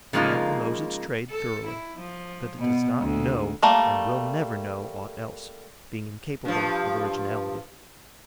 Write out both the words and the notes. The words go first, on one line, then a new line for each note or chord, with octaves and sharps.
The animal knows its trade thoroughly, but it does not know and will never know aught else, being incapable of originality.
C#3 F3 G#3 A#3 D#4 F4
A4
E4
F3
B2
D2
G3 A3 A#3
G2 F3